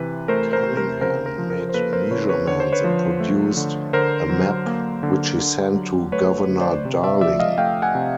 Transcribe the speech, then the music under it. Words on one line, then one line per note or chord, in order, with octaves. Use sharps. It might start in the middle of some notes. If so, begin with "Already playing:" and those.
Cunningham made measurements and produced a map which he sent to Governor Darling.
Already playing: C3 E3 B4
A3 A#4 C5
A#4 C5
C3
A#4
C#3 A#4 C5
A#4
F3
A#4
C5
A#3 A4 B4
A#4 C5
C#3 B4 C#5
B4 C#5
D3 C#5
C5
B4 C#5
F3
A3
D3
D3 A#4 C5
F#3
A#3
D3
D3
F#3
A3 B4 C#5
D3
C5 D5
C3
D5 E5
F3 D5 E5
D#5 F5
A3 F5 G5
F#5 G#5
C3